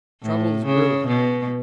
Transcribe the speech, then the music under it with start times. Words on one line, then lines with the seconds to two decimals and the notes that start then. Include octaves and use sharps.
Trouble is brewing.
0.23 A2
0.65 C#3
1.07 B2